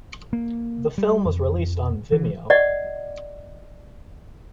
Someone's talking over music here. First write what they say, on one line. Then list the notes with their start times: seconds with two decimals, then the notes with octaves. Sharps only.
The film was released on Vimeo.
0.33 A#3
0.98 G3
1.25 F2
2.12 E3
2.50 D5 D#5 F#5